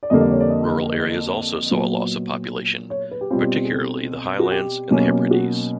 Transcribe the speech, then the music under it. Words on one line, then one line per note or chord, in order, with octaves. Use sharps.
Rural areas also saw a loss of population, particularly the Highlands and Hebrides.
D5
F2 D3 G3 A#3 D#5
D5
C#5
D5
D#5
A#2 F#3 B3
C#5
B4
G4
B2 G3 C4 F4
G#4
A4
F#4
G4
B2 F#3 A#3 C#4
F#4